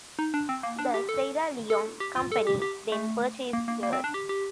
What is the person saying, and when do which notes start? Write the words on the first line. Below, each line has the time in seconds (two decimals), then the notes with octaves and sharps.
The Sierra Leone Company then purchased her.
0.19 D#4
0.34 D4
0.49 C4
0.63 A#3
0.79 D4
0.94 G4
1.09 A4
1.70 A4
2.00 G4
2.16 F4
2.32 A4
2.47 G4
2.62 G4
2.92 A3
3.53 A#3
3.68 A#3
3.83 A#3
3.93 C4
4.04 D4
4.14 G4
4.29 G4